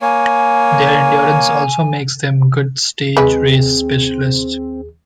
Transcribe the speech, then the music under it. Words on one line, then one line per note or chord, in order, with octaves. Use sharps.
Their endurance also makes them good stage race specialists.
A#3 C#5 G#5
D#2 G#3 C4 G#4 B4